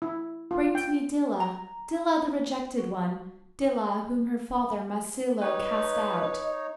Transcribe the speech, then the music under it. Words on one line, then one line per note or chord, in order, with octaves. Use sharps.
Bring to me Dilah, Dilah the rejected one, Dilah, whom her father Masilo cast out!
E4
F4
G5
A#5
F#4
D#4 B4 C#5 D#5